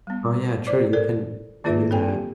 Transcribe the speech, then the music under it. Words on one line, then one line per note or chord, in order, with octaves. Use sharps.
Oh, yeah, true, you can you can do that.
G3 B3
E4 C5 D5 D6
A4 A#4 D5
D#3 A#3 F4 G#4 B4 E5
C4 A4 C#5 G5 G#5
G4